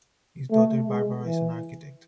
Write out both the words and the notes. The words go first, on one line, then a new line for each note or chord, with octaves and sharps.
His daughter Barbara is an architect.
A3
G#3
E3